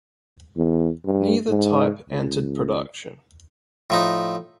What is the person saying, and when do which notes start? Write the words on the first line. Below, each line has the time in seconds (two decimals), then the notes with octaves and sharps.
Neither type entered production.
0.57 E2
1.05 G2
1.49 G#2
2.10 C#2
3.90 A2 F3 D#4